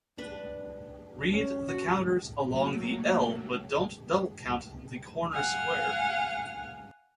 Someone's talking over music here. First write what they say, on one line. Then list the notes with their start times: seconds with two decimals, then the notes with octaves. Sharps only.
Read the counters along the L but don't double count the corner square.
0.18 D4 B4
1.33 C#4
1.68 F#4
2.48 F#3 A3 A#3
5.31 F5 F#5 G#5 F6